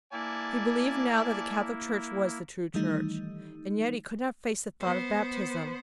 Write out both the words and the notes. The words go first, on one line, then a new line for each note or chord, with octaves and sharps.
He believed now that the Catholic Church was the true Church, and yet he could not face the thought of Baptism.
A#3 E4 D5 G#5 A5
D#3 E3 G3 A3 D#4
B3 C5